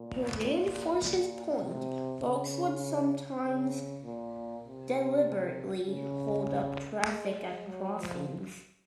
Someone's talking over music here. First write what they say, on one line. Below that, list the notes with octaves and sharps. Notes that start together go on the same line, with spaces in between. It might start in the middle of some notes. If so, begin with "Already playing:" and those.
To reinforce his point, Boaks would sometimes deliberately hold up traffic at crossings.
Already playing: A#2
A#2
A#2
C3
C#3
C#3
A#2
C3
C#3
G#3
G#3
F#3
F3